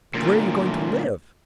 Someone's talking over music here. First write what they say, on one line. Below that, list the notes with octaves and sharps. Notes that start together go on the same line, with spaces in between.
"But where are you going to live?"
D2 A#2